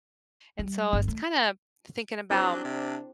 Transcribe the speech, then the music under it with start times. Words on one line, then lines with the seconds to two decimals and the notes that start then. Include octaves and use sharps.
And so I was kinda thinking about
0.59 G3
0.93 G1
1.08 A3
2.30 F#3 C4 D4 E4 G#4 C5
2.64 C3